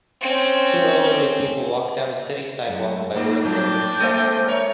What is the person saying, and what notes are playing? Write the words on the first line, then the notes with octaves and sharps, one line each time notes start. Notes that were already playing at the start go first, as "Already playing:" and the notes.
Two elderly people walk down a city sidewalk by words written in chalk.
C4 C#4
F#2 G#3
A2 A#3 D#4
F#3 G3 C4 D4 G5
G#3 A#3 C4 A4 D#5 E5
A#4 C#5